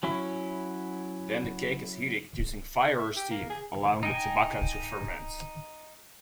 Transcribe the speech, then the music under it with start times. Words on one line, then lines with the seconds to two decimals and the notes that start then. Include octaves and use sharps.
Then the cake is heated using fire or steam, allowing the tobacco to ferment.
0.03 F#3 C#4 E4
2.99 E5
3.16 G4
3.31 A#3
3.50 G#4
4.03 D#4 D#5 G5 G#5